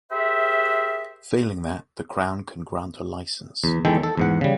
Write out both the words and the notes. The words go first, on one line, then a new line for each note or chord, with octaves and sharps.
Failing that, the Crown can grant a licence.
G4 G#4 A#4 C5 E5
E2
E2 D#3 G#3 A4 G5
A4
E2 G#2 F#5
C#3 G3